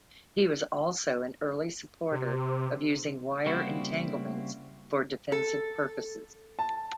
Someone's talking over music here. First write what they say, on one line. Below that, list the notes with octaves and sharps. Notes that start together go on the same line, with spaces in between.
He was also an early supporter of using wire entanglements for defensive purposes.
C3
C#3 G3 A#3 C4 E4 F#4
A4
A5